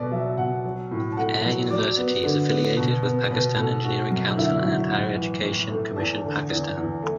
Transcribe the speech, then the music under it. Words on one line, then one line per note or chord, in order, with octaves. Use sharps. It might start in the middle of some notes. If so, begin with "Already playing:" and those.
Air University is affiliated with Pakistan Engineering Council and Higher Education Commission Pakistan.
Already playing: B2 F#3 A4 B4 D5
F#3 E5
B2 F#5
F#3
A2
A5
A3 F#5
F#3
F#3 D5
B3
D3
B3
B2
B3
B2 B4
B2 A4
A3 F#4
F#2
D3 E4
F#4
F#2 E4
A2 F#5
E3
A2
A3
E2 A5
D3
E2
E2
A3